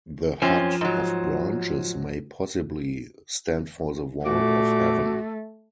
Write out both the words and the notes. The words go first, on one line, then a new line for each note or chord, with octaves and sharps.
The hut of branches may possibly stand for the vault of heaven.
F#2 F3 C4 C#4
G#2 F#3
A#2 A3 F#4 D6